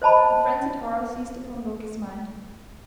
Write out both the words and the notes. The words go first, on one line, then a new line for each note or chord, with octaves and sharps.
A frenzied horror seized upon Loki's mind.
C5 D#5 A5 B5